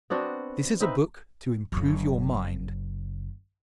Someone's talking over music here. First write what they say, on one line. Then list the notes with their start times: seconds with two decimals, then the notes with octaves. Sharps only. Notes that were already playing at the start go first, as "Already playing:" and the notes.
This is a book to improve your mind.
0.10 B3 C4 D4 F#4
0.80 C4 D#4 B4 E5
1.72 F#1 C#3